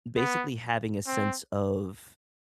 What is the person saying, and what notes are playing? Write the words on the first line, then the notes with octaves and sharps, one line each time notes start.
basically, having a sense of
B3
C4